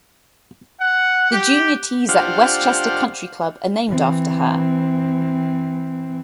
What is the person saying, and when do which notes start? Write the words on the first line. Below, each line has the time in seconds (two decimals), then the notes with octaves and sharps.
The junior tees at Westchester Country Club are named after her.
0.79 F#5
1.31 G4
2.09 D4 F4 G4 C5 F5 F#5
3.88 E3 C4